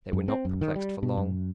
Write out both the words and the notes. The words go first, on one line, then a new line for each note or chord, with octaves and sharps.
They were not perplexed for long.
F#2
C4
F#2
D#3
G3
B2
F#2